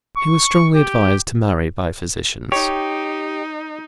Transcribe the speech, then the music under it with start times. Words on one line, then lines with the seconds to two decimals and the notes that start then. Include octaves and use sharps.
He was strongly advised to marry by physicians.
0.17 C#6
0.74 G4
2.52 D#4 G4 C#5